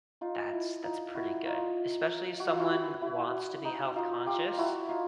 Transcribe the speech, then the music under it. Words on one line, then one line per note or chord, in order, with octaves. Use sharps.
that's that's pretty good, especially if someone wants to be health-conscious.
D#4 F4
E4
D#4 F4
E4 F#4
D#4 F4
F#4
F4
E4 F#4
E4 F#4
E4 F#4
D#4
D#4 F4
F4 G4
E4 F#4
D#4 F4